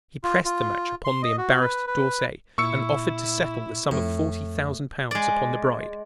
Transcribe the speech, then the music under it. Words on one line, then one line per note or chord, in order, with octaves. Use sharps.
He pressed the match upon the embarrassed D'Orsay, and offered to settle the sum of forty thousand pounds upon the bride.
F4
F4
C6
D#5
F#4
B4
B4
A#2 E4 C#6 E6 C#7
F2 A2
G#3 D5